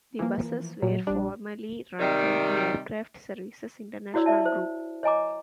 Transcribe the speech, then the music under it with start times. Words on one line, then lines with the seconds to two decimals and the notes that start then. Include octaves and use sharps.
The buses were formerly run by the Aircraft Services International Group.
0.19 E3 F3 A#3
0.82 A#2 F#3
1.07 A#1 G3 D4
1.99 C3 D#3 G3
4.14 E4 F#4 C#5 D5 E6
4.26 D5 E5 A5
4.45 C5
5.03 C#5 D#5 G#5 A#5 D6